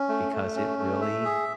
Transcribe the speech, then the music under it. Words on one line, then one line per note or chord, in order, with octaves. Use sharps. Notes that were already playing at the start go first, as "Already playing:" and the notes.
"because it really"
Already playing: C#4
A3
A3
C#4
A3
E5
G#4